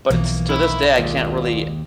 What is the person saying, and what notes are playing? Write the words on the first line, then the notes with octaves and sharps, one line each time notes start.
but to this day, I can't really
B1 E3 F3 A#3
D#3 E4
D#2 A#2 G#3